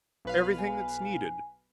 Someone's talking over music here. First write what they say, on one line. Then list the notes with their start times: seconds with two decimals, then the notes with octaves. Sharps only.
Everything that's needed.
0.25 B1 B4 F5
0.58 G#5